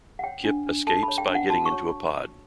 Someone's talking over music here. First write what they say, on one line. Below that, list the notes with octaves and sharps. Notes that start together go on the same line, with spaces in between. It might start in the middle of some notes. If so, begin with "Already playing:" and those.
Kyp escapes by getting into a pod.
F#5
C#5 G5
D4
D4
A4 A5
B5
C#5
G5
D4
F#5
F#4 A5
C#6
C#5